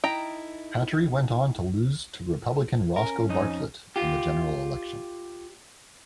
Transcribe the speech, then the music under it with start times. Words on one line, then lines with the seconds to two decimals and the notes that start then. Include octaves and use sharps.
Hattery went on to lose to Republican Roscoe Bartlett in the general election.
0.04 D#4 E4 A4 G5 A#5
2.96 C#4 A#4
3.29 F2 D#4
3.96 F4 G4